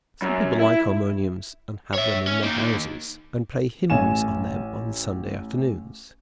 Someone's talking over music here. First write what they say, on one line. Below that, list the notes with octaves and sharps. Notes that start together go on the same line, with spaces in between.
Some people like harmoniums, and have them in their houses, and play hymns on them on Sunday afternoons.
F#2
E4
C#5 E5
C#4
A#3 D#4
A1 G#5 E7